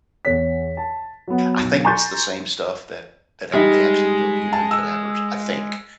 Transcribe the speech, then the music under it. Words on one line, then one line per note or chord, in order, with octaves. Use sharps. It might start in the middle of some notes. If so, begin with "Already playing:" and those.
I think it's the same stuff that tha that they actually use on human cadavers, I think.
E2 C#5 B6
A5
F#3 B3
B1
G#5 A#5 C6 C#6 G6 A6
G3 G#3 D#4
A5
E6